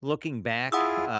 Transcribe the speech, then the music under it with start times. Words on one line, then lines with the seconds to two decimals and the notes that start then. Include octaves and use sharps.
looking back, uh,
0.72 E4 F4 G#4 F#5 D#6 E6